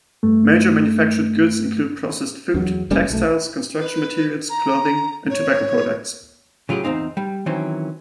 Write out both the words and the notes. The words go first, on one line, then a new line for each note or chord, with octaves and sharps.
Major manufactured goods include processed food, textiles, construction materials, clothing and tobacco products.
G2 A3
E2 F#3
F1 G3 A#3 C#4
B1 A3
B4
A#5
C#5
C#3 F#3 F4 G4 G#4
E2 D3 C4 D#4 F5
G3
D#3 E3 F#3 C4 C#4